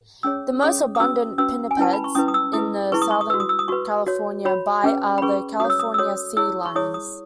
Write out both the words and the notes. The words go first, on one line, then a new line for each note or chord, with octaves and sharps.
The most abundant pinnipeds in the Southern California Bight are the California sea lions.
C#4 G#4 C#5 E6
C#4 G#4 C#5 D#6
D#6
C#4 F#4 B4 E6
C#4 F#4 B4 E6
G#5
C#4 E4 B4 A5
B5
C#6
C#4 E4 B4 D#6
D#6
E6
E4 G#4 B4 D#6
E4 G#4 B4 C#6
D#6
C#6
D#6
F#4 B4 E6
D#6
E6
D#6
F#4 B4 C#6
F#4 C#5
F#4 C#5 B5
C#4 G#4 B4
B5
C#4 G#4 B4 C#6
F#4 A4 C#5 D#6
E6
D#6
E6
F#4 A4 C#5 D#6
E4 G#4 C#5 E6
C#6
E4 G#4 C#5 D#6
D#6